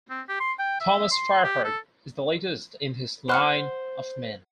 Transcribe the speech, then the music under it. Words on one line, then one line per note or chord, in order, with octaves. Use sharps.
Thomas Fireheart is the latest in this line of men.
C4
G4
C6
G5
E5
C6
G4
A4
C5 F#5 F6 F#6